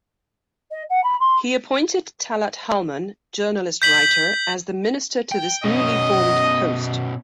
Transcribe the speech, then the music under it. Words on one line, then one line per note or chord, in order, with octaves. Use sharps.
He appointed Talat Halman, journalist-writer, as the minister to this newly formed post.
D#5
F#5
B5
C6
G6 B6 F#7
G5
B2 C#4 D#5